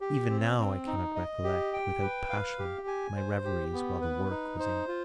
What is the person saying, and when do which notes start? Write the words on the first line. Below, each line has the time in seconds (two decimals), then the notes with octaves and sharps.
Even now I cannot recollect without passion my reveries while the work was incomplete.
0.01 G4
0.30 C4
0.59 C4
0.87 D#4
1.16 D#5
1.44 G4
1.73 G5
2.02 B4
2.30 F5
2.59 G4
2.87 G#5
3.16 C5
3.45 G4
3.73 B3
4.01 B4
4.30 D#4
4.59 C5
4.88 F4